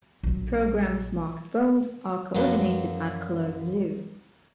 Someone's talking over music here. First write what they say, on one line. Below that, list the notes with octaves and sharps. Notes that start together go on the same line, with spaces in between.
Programmes marked bold are coordinated at Cologne Zoo.
A#1 F#3
F#2 F3 F#3 B4